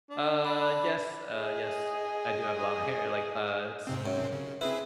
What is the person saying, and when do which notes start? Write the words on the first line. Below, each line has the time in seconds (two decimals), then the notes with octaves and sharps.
Uh, yes uh yes. I do have a lot of hair, like, uh, it's
0.10 D4
0.45 D4 B5
1.33 G#4 D#5
3.87 G#2 C3 C4
4.06 F#2
4.32 C#3
4.61 C4 E4 G#4 B4